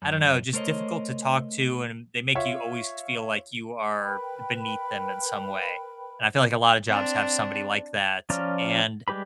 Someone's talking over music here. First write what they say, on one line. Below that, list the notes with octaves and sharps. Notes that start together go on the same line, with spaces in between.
I don't know, just difficult to talk to, and they make you always feel like you are beneath them in some way. And I feel like a lotta jobs have somebody like that. And
F#2
A3 A#4 C5 C#5 D#5
F4 C#5 E5 F5
A#4 B4 G5 B5
C4 D4
F3 C#4 F4 D5 A#5
G3 G#3 G4 B4 B5